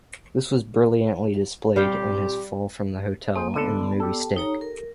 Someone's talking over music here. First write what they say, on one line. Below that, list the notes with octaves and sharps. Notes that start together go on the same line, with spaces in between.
This was brilliantly displayed in his fall from the hotel in the movie "Stick".
A#2 G3 C4 G4 F5 G5
A#3 G#4 C5
C#2 D3 B3 A4 D5
G4 A4
D#4 C#5 A#5
A#4